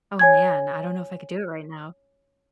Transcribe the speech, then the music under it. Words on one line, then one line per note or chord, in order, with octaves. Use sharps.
Oh, man, I don't know if I could do it right now.
C#5 G#5 G#6